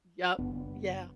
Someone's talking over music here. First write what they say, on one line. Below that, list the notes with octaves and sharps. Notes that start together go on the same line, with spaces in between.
Yep, yeah.
F#1 B3 D4